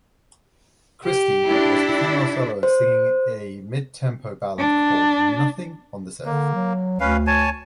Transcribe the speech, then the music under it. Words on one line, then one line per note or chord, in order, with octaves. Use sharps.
Christie was the female soloist singing a mid-tempo ballad called "Nothing on This Earth".
G4
D4 E4
C5
D4
D3 A#3
F#3
D2 C#4 B4 F5
C#5 G#5 A5